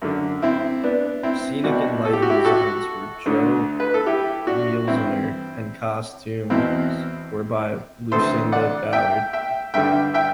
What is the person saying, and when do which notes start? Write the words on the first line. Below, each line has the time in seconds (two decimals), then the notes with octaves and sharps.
Scenic and lighting designs were by Jo Mielziner and costumes were by Lucinda Ballard.
0.02 F#2 D3
0.42 C4 E4
0.84 B3 D4
1.23 C4 E4
1.64 C2 B2 D4 F#4
2.05 A4
2.13 G4
2.22 F#4
2.30 E4 G4
2.45 F#4 A4
3.26 D2 D3
3.80 B4
3.94 A4
4.06 E4 G4
4.47 D4 F#4
4.87 G2 E3 C4 E4
6.50 E2 B2 C4 E4
8.12 D2 C3 E3 A4 C5
8.52 D5 F#5
8.93 E5 G5
9.33 E5 G5
9.74 G2 D3 E5 G5
10.14 E5 G5